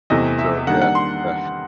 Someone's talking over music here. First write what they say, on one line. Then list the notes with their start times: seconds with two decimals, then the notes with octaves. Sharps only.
so yeah, yeah.
0.10 E2 C3 E3 A3 C4 D#5
0.39 E5
0.67 D#3 G3 A#3 D4 F#5
0.81 F#5
0.95 C6